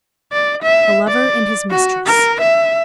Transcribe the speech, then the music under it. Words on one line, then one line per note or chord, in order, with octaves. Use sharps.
A Lover and His Mistress.
D5
E5
D5
F#4
A#4
E5